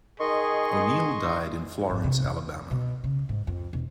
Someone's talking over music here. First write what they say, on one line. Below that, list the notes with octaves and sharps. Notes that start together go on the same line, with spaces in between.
O'Neal died in Florence, Alabama.
D#3 G#4 D#5 C6 C#6
G#1
C3
F2
B2
C#3
G#2
F2
E1